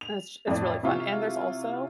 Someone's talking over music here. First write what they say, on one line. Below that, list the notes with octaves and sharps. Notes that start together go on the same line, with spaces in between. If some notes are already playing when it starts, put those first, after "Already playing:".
it's it’s really fun, and there's also
F7
F2 A2 D5
C3 E4 F4 C#6